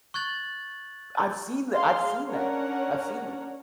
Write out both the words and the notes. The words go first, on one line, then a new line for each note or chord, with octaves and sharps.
I've seen tha I've seen that. I've seen that.
C#6 F#6 G#6 A6 F#7
G#4 F5 C6
C#4 D4 A#4 C#5 F#5